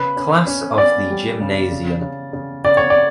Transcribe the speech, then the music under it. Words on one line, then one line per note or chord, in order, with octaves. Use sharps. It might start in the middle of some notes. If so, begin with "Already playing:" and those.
Class of the gymnasium.
Already playing: C#3 B4
C#4
C#4
C#4 D5
G3
C#3
C#3
C#3
C#3
C#3 D5
C#5
D5